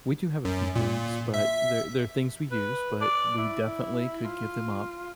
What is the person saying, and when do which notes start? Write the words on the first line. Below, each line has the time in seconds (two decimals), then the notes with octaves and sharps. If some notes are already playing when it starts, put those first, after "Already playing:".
we do have a few things, but they're they're things we use, but we definitely could give them up
0.45 F#2
0.76 A#2
1.34 E5
2.51 B4
3.01 D5
3.38 E4
4.24 F4